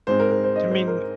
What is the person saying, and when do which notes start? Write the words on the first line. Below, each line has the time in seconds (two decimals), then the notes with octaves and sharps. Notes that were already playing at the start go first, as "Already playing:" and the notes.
I mean
0.07 G#2 G#3 C4 C5
0.20 A#4
0.31 A#4
0.44 C5
0.56 D#5
0.71 C5
0.87 A#4